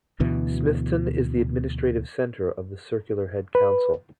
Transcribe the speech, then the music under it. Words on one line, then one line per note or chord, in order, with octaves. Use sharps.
Smithton is the administrative centre of the Circular Head Council.
D2 B2 E3
B4